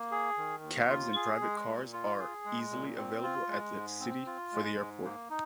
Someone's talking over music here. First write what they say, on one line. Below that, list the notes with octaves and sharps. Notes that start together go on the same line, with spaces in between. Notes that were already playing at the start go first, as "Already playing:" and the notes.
Cabs and private cars are easily available at the city for the airport.
Already playing: A#3
G#4
D#3
D#2
F4
G#4
G#3
A#2
F4
G#4
G#3
A#2
C4
F4
G#3
G#2
C4
F4
G#3
G#2
A#3
D#4